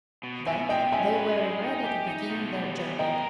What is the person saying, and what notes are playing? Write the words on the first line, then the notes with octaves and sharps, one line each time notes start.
Then they were ready to begin their journeying.
B2
B2 E5 G#5
G#3 D#5 G5
C#4 E5 G#5
B4
G#3
D#4
G4
D#4
B2
G3
B3
A#4 D#5 G5